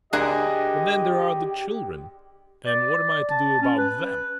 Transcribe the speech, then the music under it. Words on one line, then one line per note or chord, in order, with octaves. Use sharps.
But then there are the children, and what am I to do about them?
D2 G4 G#4 A#4 D#5 F#6
D5
A5
C#4
B4